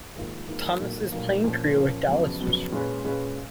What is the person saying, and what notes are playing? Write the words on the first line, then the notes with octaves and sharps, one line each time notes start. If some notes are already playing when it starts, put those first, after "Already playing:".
Thomas's playing career with Dallas was short.
G#2 D#3 A#3 F4 A#4
G#2 D#3 A#3 F4 A#4
B1 A#2 F#3 A#3
B1 A#2 F#3 A#3
A#2 F3 A#3 C#4
A#2 F3 A#3 C#4
F2 C#3 F#3 B3
F2 C#3 F#3 B3
A#2 G#3 C#4 G#4 B4
A#2 G#3 C#4 G#4 B4